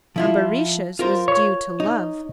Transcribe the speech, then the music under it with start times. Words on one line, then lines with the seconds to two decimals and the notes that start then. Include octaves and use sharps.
Ambarisha's was due to love.
0.16 F3 E4 F4
0.99 F4 A#4 C5
1.28 C#5
1.80 D#4